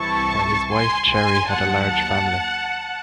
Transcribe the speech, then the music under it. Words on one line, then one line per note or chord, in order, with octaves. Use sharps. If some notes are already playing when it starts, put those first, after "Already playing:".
By his wife Cherry had a large family.
Already playing: C2 C3 E3 C4 E4 A5 C#6
G#5 C6
G#5 C6
D#2 D#3 F#3 F#5 A5